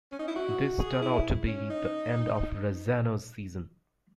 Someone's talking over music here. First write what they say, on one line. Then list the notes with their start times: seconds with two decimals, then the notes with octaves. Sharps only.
This turned out to be the end of Razzano's season.
0.12 C#4
0.19 D#4
0.28 E4
0.36 F#4
0.80 G#4
1.02 E4
1.47 C#4
1.70 D#4